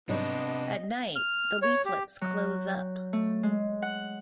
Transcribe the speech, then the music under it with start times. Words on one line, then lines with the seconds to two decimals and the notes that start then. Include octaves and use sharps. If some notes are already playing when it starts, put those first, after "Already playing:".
At night, the leaflets close up.
0.09 G#2 C3 F#3 G3 B3 D4 F#4 D#5
1.16 F6
1.62 C#5
1.85 G4
2.21 F#3
3.13 A3
3.43 G#3
3.82 F#5